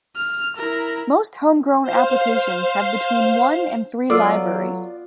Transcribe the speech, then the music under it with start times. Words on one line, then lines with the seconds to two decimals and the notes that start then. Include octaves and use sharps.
Most homegrown applications have between one and three libraries.
0.16 F6
0.56 E4 A#4
1.83 C5 F5
4.10 F#3 B3 F4 A4 D5 E6